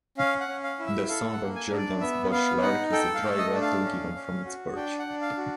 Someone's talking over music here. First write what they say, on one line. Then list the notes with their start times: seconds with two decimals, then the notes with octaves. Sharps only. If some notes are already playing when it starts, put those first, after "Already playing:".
The song of Jerdon's bush lark is a dry rattle given from its perch.
0.18 C#4 F5
0.40 F#5
0.48 C#4
0.64 F5
0.79 E4
0.86 E5
1.09 A4 F5
1.32 F#5
1.40 A#3
1.55 G#5
1.70 D4
1.78 D5
2.01 B3 E5
2.31 B3 F5
2.62 D#4 F#5
2.92 A4 G5
3.15 F5
3.22 A3
3.38 D#5
3.53 D4
3.61 F5
3.84 C#4
4.15 C#4
4.45 F#4
4.76 D4 G5
4.99 F#5
5.07 D4
5.21 F5
5.37 F#4